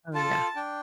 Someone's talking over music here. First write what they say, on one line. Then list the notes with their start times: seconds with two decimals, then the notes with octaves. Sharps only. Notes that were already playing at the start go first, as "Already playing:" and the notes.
Oh, yeah.
0.14 F4 A4 A5
0.56 D4 G5